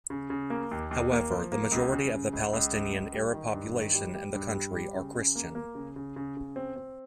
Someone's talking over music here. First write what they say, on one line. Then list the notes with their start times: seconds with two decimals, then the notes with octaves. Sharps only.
However, the majority of the Palestinian Arab population in the country are Christian.
0.10 C#3
0.30 C#3
0.50 A#3
0.71 D#2
0.91 D#2
1.12 A#3
1.31 F3
1.52 A#3
1.72 C#2
1.92 C#3
2.12 C#3
2.33 C#2
2.53 C#2
2.73 C#2
2.92 C#2
3.14 G3
3.34 D#3
3.54 G2
3.74 D#3
3.94 G3
4.14 G3
4.34 G2
4.54 G3
4.75 G3
4.95 C#3
5.14 C#3
5.35 A#3
5.55 A#3
5.75 C#3
5.96 C#3
6.16 C#3
6.37 C#3
6.56 C4
6.76 C4